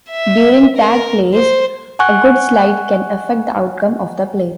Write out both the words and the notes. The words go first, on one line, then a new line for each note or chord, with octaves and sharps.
During tag plays, a good slide can affect the outcome of the play.
E5
A#4
C5
F#5 G#5 C#6 F#6